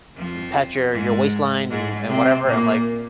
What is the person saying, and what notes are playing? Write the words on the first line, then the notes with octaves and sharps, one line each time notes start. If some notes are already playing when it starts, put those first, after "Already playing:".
pat your your waistline and and whatever." I'm like
F2 F3
G#2 G#3
G#2 G#3
C3 C4
A#2 A#3